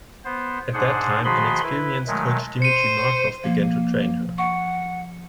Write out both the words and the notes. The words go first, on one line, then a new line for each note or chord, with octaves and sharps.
At that time an experienced coach Dmitry Markov began to train her.
B3 C5
G#2 D4 G#4 C5 F#5
D#3 F3 F#4 G#4 B5 C6
E4 B4
D#3 F#3 G#3 A3
C5 C#7 D#7
F3 A#3
F#5 C#6